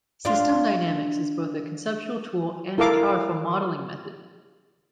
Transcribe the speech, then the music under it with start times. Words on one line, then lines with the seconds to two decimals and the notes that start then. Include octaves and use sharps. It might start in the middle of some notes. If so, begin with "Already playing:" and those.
System dynamics is both a conceptual tool and a powerful modeling method.
0.25 D4 F4
2.78 E4 A4 A#4 F5 D6